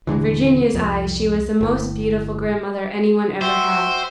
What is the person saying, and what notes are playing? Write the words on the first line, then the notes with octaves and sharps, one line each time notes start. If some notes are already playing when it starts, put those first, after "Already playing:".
In Virginia's eyes she was the most beautiful grandmother any one ever had.
D#1 C#2 D3 E3
C2 F2
G1 A2
F#4 C5 E5 G5